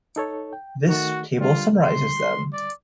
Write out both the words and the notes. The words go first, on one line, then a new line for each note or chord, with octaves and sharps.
This table summarises them.
D#4 A4 C#5
G5
D#3 A3 F#4
D3 G3 F4
C6
D5